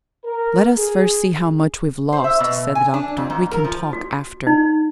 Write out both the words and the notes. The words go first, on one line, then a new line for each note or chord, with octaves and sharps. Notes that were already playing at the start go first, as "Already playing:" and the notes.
"Let us first see how much we've lost," said the doctor; "we can talk after."
A#4
G#4
C5
E5
B2
G#5
D4
F2
G#2
A#4
F3
F#4
D#4